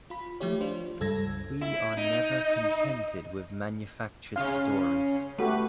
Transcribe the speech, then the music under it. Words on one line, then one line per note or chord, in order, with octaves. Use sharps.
We are never contented with manufactured stories.
F4 B5
F3 A3 E4 G4 C#5
D4 F4 C5
C#2 G2 A4 E6 G#6 A#6
E4
D#4
C#3 C#4 F5 C6
A3 F#4 G4 B4